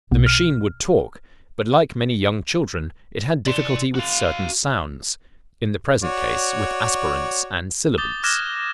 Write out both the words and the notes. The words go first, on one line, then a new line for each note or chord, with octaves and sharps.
The machine would talk, but, like many young children, it had difficulty with certain sounds--in the present case with aspirants and sibilants.
B1 B2
F6
D5 C6
F#4 F5
F#4 C#5 D5
D6 D#6 G6 A6 G7
D6 F6 F#6 G#6 A#6 E7